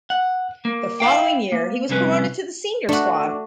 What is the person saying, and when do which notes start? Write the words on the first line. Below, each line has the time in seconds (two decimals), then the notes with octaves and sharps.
The following year, he was promoted to the senior squad.
0.10 F#5
0.65 A#3
1.00 E4 F5 G5
1.52 A#3
1.89 C2 F2 C3 C#4 B4
2.89 A3 D4 F#4